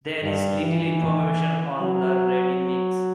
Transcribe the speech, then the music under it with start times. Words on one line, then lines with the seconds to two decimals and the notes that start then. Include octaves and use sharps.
There is little information on the Radimichs.
0.23 G2
0.62 E3
1.82 F#3